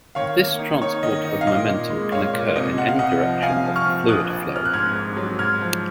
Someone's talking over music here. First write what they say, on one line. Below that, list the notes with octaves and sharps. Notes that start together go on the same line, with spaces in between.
This transport of momentum can occur in any direction of the fluid flow.
D#3 C#5 F5
A#3
D#4
D#4 C#5
D#3 D#5
D#4 D#5
F5
A#2 D#5
A#2
G#3
A#2 C#5 F5
A#2
C2 D#5
C2 F#5
F5
C2 D#5 F#5
F3
C2 F5 G#5
F3
C#6 F6
F3
A#1 D#6 F#6
A#1
A#1 F6
F#6
G#2 F6 G#6
G#2
F#3
G#2 F6 G#6
F3